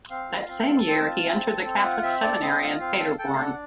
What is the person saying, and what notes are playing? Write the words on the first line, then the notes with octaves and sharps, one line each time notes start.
That same year, he entered the Catholic seminary in Paderborn.
C4 F5
F4
C4
A4
C4 A5
F4
C4
A4
C4
F4 F#5
C4 E5
A4 D5
C4 D#5
F4
C4 F5
A4
A4 G5
F#5
F5
D4 F#5